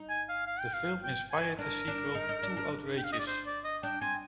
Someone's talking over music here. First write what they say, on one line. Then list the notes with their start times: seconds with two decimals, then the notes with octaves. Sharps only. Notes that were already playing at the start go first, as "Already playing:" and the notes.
The film inspired the sequel Too Outrageous!
Already playing: D#4
0.09 G#5
0.29 F5
0.47 F5
0.60 G5
0.73 F5
1.03 G5
1.31 G#5
1.58 D4 A#4
1.88 D4
2.15 D#4
2.29 D#4
2.43 D4
2.57 D4
2.98 G5
3.04 F5
3.12 D#5
3.19 D5
3.27 C5
3.46 D5
3.64 D#5
3.83 D4 G5
4.01 C4 G#5